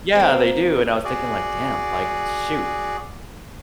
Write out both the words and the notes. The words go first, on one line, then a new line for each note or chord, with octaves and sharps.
yeah, they do. And I was thinking like, "Damn," like, "Shoot,"
A#3 C4
F#4 G#4 D5